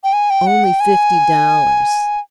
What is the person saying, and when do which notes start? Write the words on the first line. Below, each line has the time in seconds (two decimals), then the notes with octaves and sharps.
"Only fifty dollars."
0.04 G5
0.13 G#5
0.30 G5
0.47 F#5
0.64 G5
0.80 G#5